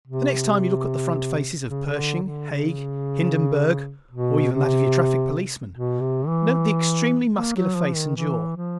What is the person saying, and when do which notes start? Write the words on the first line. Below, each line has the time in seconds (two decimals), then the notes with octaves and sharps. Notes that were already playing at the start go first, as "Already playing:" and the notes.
The next time you look at the front faces of Pershing, Haig, Hindenberg or even that of your traffic policeman, note the extremely muscular face and jaw.
0.07 C3
1.69 C#3
1.86 C#3
1.96 D3
2.23 D3
2.50 C#3
4.11 B2
4.52 C3
5.73 B2
6.00 C3
6.27 E3
7.35 A#3
7.55 F#3
7.75 F3
7.95 D#3
8.16 E3
8.57 F3